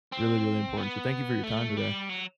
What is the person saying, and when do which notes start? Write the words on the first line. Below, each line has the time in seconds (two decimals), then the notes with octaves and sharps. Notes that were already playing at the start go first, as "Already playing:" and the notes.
really, really important. So thank you for your time today.
0.12 C4
0.77 B3
1.43 A3
1.77 G3
2.09 F#3